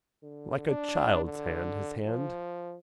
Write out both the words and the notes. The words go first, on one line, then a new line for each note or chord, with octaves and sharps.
Like a child's hand, his hand.
D3
D4
D3
F3